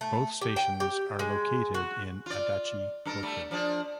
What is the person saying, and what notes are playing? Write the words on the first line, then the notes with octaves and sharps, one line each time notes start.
Both stations are located in Adachi, Tokyo.
A3
G4
G5
G4
G#3
F#4
F4 D5
G2 A4 A#4
G3 A3
F3 D4 G#4